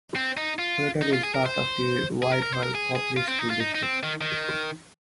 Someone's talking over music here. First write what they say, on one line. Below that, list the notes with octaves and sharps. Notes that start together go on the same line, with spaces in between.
Fullerton is part of the Whitehall-Coplay School District.
C4
D#4
F4
D#4
F4
G#4
A#4
C5
G#4
A#4
A#4
C5
A#4
G#4
G#4
F4
C4
D#4
F4
D#4
D#4
C4
D#3
D#3